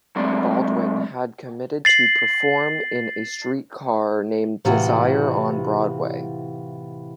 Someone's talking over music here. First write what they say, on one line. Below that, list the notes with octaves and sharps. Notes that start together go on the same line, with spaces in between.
Baldwin had committed to perform in "A Streetcar Named Desire" on Broadway.
F#3 G#3 A3 C4 D5
A6 C7 F#7
A2 C3 E3 F4 F#4